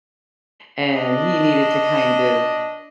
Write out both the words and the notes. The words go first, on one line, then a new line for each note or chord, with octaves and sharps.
and he needed to kind of
D4 D#5